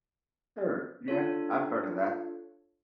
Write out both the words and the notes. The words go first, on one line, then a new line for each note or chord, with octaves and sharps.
Sure. Yeah, I've heard of that.
D4 F4 A4 C#5